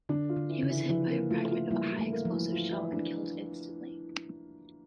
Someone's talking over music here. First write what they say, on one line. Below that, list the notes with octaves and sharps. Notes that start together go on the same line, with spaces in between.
He was hit by a fragment of a High Explosive shell and killed instantly.
D3 D4
F4
D3
E3
C#3
E3
E3 F3
A#3
A3 F4
F4
E3 G3 A#3
E3
A3
A#3
F3
E3
F4
E3
D4